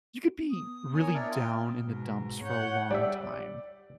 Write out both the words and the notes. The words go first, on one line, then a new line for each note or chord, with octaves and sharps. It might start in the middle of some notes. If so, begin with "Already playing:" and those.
you could be really down in the dumps for a long time
B3 D#6
A#4 C#5 G#5 D#6
D4 E4 A#4 D5
F4 G5 D#6 F6
G#2 B2
C#5 F#5 G6
G3 G4 D5 E5